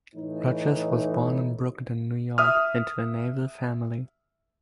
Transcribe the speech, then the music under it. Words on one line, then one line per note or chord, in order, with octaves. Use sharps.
Rodgers was born in Brooklyn, New York, into a naval family.
A2 E3 D#4
E5 D#6 F6